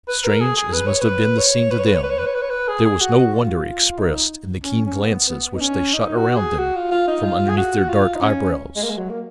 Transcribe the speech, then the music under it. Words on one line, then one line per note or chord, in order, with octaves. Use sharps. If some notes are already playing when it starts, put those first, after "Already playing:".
Strange as must have been the scene to them, there was no wonder expressed in the keen glances which they shot around them from underneath their dark eyebrows.
B4
A#4
G#4
G#4
B4
C#5
B4
C#5
B4
C#5
B4
C#5
B4
C#5
B4
C#5
B4
C#5
B4
G#4
G#4
F#4
F#4
F4
D#4
C#4
C#4
A#3
B3
B3
D#4
C#4
D#4
F#4
G#4
F#4
F4
F4
D#4
F4
G#4
F#4
F4
D#4
C#4
G#3
A#3
G#3
F#3
A#3